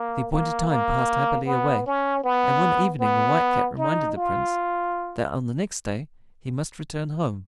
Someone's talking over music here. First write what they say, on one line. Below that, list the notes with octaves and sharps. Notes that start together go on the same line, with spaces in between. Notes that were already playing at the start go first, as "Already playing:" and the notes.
The appointed time passed happily away, and one evening the White Cat reminded the Prince that on the next day he must return home.
Already playing: A#3
A#3
A#3
B3
C#4
B3
B3
D#4
F4